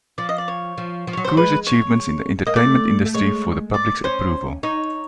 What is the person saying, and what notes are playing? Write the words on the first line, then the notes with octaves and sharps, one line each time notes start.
Ku's achievements in the entertainment industry for the public's approval.
F3 D5
D#5
D5
C#5
F3
F3
F#3 C#5
F#3 C5
G#3 B4
C#5
A#3 D#5
A3 D5
A3
G#3 C#5
D5
C#4 C5
D#4 C#5